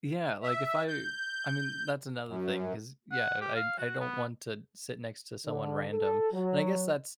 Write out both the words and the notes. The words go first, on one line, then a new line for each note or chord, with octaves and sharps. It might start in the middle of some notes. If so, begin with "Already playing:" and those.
Yeah, like if I I mean, that's another thing, 'cause, yeah, I I I don't want to sit next to someone random, and I guess that's
E5
G6
F#2
F#5
G4
F5
F#4
B3
D3
A4
F#3